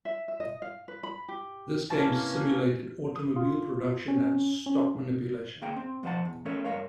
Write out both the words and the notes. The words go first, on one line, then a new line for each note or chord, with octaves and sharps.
This game simulated automobile production and stock manipulation.
E5
E5
D#5
F5
B4
B5
G4
C3 A#3 C#4 E4 B4 A5
D#6
F4
C#4
C#4
C3
D2 A#3 G#4 E5 G5
C4
F2 F3 C5 F#5 A5
E2
A3 C#4 A4 A#4 C#5 E5
G2 C3 A#4 C#5 F5